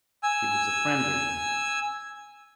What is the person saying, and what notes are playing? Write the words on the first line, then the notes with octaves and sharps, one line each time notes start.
She was a friendly woman.
G#5 E6